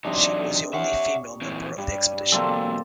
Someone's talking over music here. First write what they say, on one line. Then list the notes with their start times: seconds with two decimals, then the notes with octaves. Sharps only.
She was the only female member of the expedition.
0.04 E2 C3 F#3 D4 D#4 D#5
0.73 C#5 E5 F#5
1.41 A#2 E3 C4
1.78 G2 G3
2.32 E2 B2 F#3 A#3 C4 A4